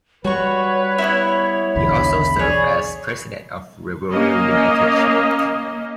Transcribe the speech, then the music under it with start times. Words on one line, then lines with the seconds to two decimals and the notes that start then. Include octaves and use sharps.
He also served as president of Riverview United Church.
0.25 G3 F#4 B4 C#5 C#6
0.98 B3 C4 E4
1.76 B1 E2 D3 B5
2.39 G#4 C#5 D5
4.09 A#3 C#4 D#5